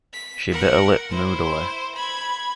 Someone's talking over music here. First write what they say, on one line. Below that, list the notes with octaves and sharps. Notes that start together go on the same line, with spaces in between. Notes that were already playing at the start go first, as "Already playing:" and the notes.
She bit her lip moodily.
B6
A#4 F#5
E4 C5
B5 G#6